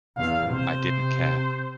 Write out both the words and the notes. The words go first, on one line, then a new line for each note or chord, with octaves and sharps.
I didn't care.
E2 F5
C3 C5